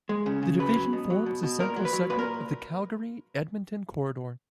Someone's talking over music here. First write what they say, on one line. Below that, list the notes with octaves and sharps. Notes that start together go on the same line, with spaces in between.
The division forms the central segment of the Calgary-Edmonton Corridor.
G#3
C#3
C#3
F#3 B4
F#3
B2
F#3
B2
B2
A#2 A#4
F#3
B4
F#3
A#2 B4
A#4